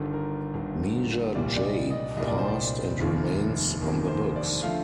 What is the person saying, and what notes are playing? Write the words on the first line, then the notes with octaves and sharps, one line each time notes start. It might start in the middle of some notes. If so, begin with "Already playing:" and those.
Measure J passed and remains on the books.
Already playing: G1 G2 D#3 A4
A#4
G1 G2 D#3
C2 A#2 G3 D5
D5
D#5
D#5
C2 A#2 G3 D#5
D5
C5
D5
F1 D#2 D#3 A#3
F1 D#2 D#3 A#3
C5
D5
D3 F3 A3 F5